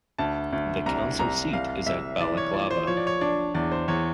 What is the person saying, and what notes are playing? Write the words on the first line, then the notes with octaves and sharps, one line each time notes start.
The council seat is at Balaklava.
D2 A5
D2
C2 A#5
C2 A#5
C2 F5
C2 E5
E3 D5
C#5
F4 D5
C5
F3 C#5
D5
C#5
D4 D5
E2 D5
C5
E2 C#5